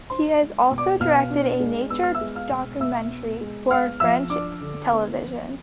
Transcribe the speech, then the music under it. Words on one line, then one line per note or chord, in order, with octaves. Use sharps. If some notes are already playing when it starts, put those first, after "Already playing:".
He has also directed a nature documentary for French television.
D4 C5 C6
G#3
B2
D5 D6
B2 F5 F6
D4
G#3
B3 E6
F6
E5 E6
G#3
F5 F6
B2
B2 E5 E6
B3
G#3
B3 F5 F6
F3 E5 E6
D4 D5 D6
D3
B3
F3